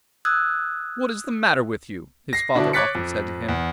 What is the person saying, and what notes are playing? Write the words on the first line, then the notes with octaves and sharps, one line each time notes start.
'What is the matter with you?' his father often said to him.
D#6 E6 F#6 G#6
A#6 C7
B2 D3 D4 E4
C#5 D6 F#6 A6 B6 C#7
F2
E2